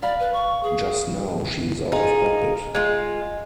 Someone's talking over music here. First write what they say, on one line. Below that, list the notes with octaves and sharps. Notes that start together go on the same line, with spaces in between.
Just now she is out of pocket.
D5 F5 B5
B4
C#6
G#4
D#4 F4 G#4
G#3 F4